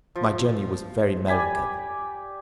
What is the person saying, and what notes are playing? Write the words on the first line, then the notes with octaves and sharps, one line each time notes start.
My journey was very melancholy.
F3
G4 D5 G#5 B5